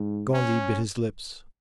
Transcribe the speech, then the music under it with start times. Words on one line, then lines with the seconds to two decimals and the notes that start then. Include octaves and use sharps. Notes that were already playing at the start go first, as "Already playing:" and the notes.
Gondy bit his lips.
Already playing: G#2
0.34 C#4